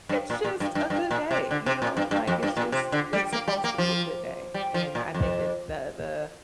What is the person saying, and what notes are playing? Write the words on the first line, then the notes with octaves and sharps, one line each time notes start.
It's just a good day, you know, like, it's just it's supposed to be a good day, and I think that the the
G2
A#2
A#2
G2
G2
G2
A#2
C3
D3
C3
A#2
G2
G2
F2
G2
A#2
C3
D3
G3
A#3
G3
A#3
F3
G3
F3
A#2
F2